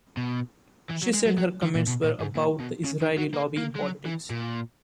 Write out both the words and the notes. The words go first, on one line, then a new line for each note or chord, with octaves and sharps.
She said her comments were about the Israeli lobby in politics.
B2
E3
F#3
G#3
F#3
F#3
D#3
A#2
B2
A#2
G#2
A#2
B2
C#3
D#3
F#3
A#3
A#3
G#3
F#3
E3
A#2